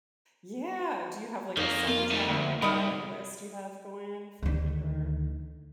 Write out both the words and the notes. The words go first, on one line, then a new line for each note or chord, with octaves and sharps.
Yeah. Do you have, like, a soundtrack or a playlist you have going for it or
F2 D#3 A#3
A#3 F4
A3 D#4
D2
C2 D#3 D#4 B5 D#6
D2 D#3